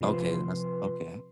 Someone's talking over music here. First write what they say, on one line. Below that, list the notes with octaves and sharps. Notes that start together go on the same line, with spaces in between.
Okay, then that's okay.
C3 F3 B4 C6